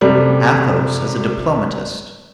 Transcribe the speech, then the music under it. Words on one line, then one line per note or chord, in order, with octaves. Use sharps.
Athos as a Diplomatist.
F#2 C3 G3 A3 D5